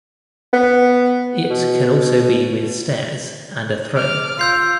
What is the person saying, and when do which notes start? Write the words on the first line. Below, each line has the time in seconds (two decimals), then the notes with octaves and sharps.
It can also be with stairs and a throne.
0.53 B3
1.51 B2
3.95 D6 F6
4.39 F4 C6 E6 G6 C7